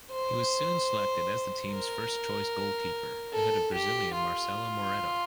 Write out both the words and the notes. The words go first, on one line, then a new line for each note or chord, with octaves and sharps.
He was soon selected as the team's first-choice goalkeeper, ahead of Brazilian Marcelo Moretto.
C5
A#4
A4
G4
F4